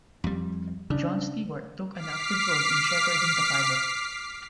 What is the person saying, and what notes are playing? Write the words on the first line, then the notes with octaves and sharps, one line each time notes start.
Jon Stewart took an active role in "shepherding" the pilot.
F2 G3
C#3 D4
D6 F6 B6 C7